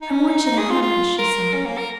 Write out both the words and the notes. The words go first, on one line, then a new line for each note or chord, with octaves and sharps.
"I want you to have this," she sobbed.
D#4
C#4
D#4
D#4
G#4
F4
F4
A#4
C#4
A#3
A#4